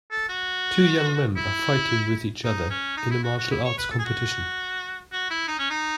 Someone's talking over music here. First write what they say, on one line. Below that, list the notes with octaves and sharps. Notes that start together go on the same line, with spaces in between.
Two young men are fighting with each other in a martial arts competition.
A4
F#4
E4
D#4
C#4
D#4
E4
F#4
F#4
E4
C#5
B4
A4
G#4
F#4
F#4
E4
D#4
C#4
D#4